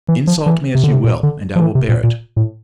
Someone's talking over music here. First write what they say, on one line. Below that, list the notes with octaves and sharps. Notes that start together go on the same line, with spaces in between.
Insult me as you will, and I will bear it.
E3
F3
E3
C3
D3
C3
A#2
D3
F3
E3
C3
A#2
A#2
A2